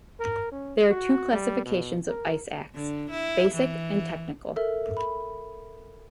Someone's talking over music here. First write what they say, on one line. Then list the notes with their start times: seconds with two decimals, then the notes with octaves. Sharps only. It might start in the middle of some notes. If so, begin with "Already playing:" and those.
There are two classifications of ice axe, Basic and Technical.
0.20 A#4
0.52 C#4
0.89 F#4
1.32 G3
1.65 B2
2.09 A#4
2.74 D3
3.10 E4
3.55 E3
4.56 A4 A#4 E5
4.97 B5